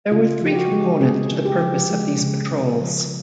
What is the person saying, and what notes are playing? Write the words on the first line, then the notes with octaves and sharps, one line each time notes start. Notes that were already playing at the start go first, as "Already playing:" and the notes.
There were three components to the purpose of these patrols.
C#3 F4
F3 G4
F#4
G#3
C#3 G#4
C#3
G4
F3
G#3
C#3
C#3
F3